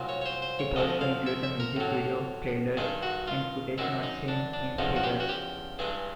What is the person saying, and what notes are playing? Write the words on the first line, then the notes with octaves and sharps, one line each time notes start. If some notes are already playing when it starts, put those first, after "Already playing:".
It also includes a music video, trailers, and footage not seen in theaters.
Already playing: C2 A#2 F#3
C#5
C#5
C5
C5
C#5
D2 C3 F3 G#3 D#5
F5
E5
E5
A#4
A2 F#3
G2 D#3 G#3 G#4
F#4
F4
F#2 D#3 G#3 E4
D#4
D4
D4
E2 C#3 F3 G#3 D#4
F#4
G4
F#4
G4
G2 E3 G#3 G#4